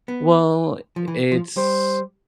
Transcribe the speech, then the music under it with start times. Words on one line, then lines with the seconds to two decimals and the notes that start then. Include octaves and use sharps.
Well, it's
0.08 B3
0.96 F3
1.08 E3
1.32 F3
1.57 G3 C5